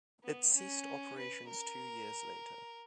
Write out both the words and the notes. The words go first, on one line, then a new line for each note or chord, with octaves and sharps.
It ceased operations two years later.
B3
C#4
B4
A#4